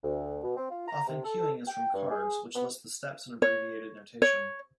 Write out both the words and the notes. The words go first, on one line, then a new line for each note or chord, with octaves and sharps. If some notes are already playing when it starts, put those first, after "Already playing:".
Often cuing is from "cards" which list the steps in abbreviated notation.
D2
B2
C4
F4
A#5
C3
A4
G5
G2
G#4
B3
C#5
C#5